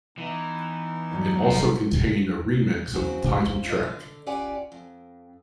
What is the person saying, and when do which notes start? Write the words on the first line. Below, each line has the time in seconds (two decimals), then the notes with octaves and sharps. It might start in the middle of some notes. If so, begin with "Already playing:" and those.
It also contained a remix of the title track.
0.18 E3 B3 D#4
1.11 E2 G2 F#3
1.43 F3 A4 A#4
2.94 C#3 F#3 C4 C#4 F#4
3.45 F3
3.66 F4 C5 D#5
3.83 D3
4.26 C#4 F4 G4 D5 F#5 G#5
4.72 F2